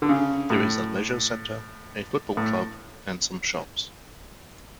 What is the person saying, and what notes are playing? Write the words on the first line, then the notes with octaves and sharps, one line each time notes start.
There is a leisure centre, a football club and some shops.
D3
C#3
A2
A2